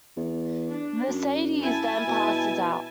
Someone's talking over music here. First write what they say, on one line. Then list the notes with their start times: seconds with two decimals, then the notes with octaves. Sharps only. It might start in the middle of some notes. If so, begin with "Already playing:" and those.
Mercedes then passes out.
0.17 E2
0.70 D4
1.08 F#2
1.62 E4 G#5 A5
2.07 B2